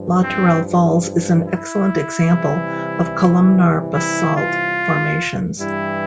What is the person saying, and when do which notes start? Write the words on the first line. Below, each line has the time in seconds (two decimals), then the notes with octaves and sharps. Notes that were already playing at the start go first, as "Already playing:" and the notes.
Latourell Falls is an excellent example of columnar basalt formations.
Already playing: G2 F3
0.23 C4
1.47 E4
2.29 C3 E3 G3
3.94 E4
4.35 F4
5.59 G2 E3 G3 E4